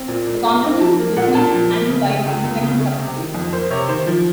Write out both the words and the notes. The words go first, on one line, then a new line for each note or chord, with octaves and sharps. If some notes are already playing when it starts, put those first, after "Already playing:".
The components business is handled by an independent subsidiary.
Already playing: C4
A#2
A#2
A3
C4
F3 A5
A#3
A#2 F#5
A#2 A5
F3
A#3
C#3
A3
C#2
C#2
C#3
A3
C3
D#3
F2
A#3 C5
C3 C#5
D#3 C5
F3